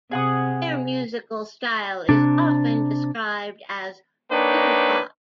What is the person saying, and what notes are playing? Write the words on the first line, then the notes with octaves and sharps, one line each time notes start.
Their musical style is often described as doo-wop.
C3 G#4 F#5 D#6
C3 D4
A#3 D4 D#4 B4 C#5 G5